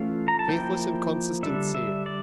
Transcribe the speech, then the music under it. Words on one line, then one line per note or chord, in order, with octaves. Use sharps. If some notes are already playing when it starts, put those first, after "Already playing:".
Faithless inconsistency!
Already playing: E3 A3 C#4 F4 F5
A#5
A5
F3 A#3 E4 G5
D3 G3 D4 E5
E5
D5